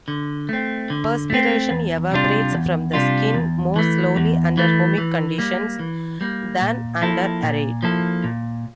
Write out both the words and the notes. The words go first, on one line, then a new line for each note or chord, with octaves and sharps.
Perspiration evaporates from the skin more slowly under humid conditions than under arid.
D3
A3 C4
D3
A3 C4
E2
C3 G3 D4 F4
E2
C3 G3 D4 F4
E2
E3 A3
E2
E3 A3
E3
G3 A#3
E3
G3 A#3
A#2
F3 A#3 E4 A4
A#2
F3 A#3 E4 A4
A#2